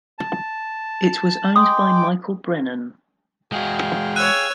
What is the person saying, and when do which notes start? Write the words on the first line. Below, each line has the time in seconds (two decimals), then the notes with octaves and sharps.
It was owned by Michael Brennan.
0.18 A5
1.56 G#3 G5 D6 D#6
3.52 G#3 F#4 G#4 F5 G5
4.16 C#5 E6 F#6 D#7